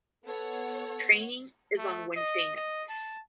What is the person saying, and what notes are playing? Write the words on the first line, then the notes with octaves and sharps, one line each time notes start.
Training is on Wednesday nights.
B3 A4 C#5 F#5
A3
D#5
D#5
A5